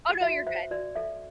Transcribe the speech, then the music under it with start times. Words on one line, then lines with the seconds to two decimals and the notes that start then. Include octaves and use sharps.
Oh no, you're good.
0.21 F#4 E5
0.47 C5 E5
0.71 F#4 D5
0.95 A4 E5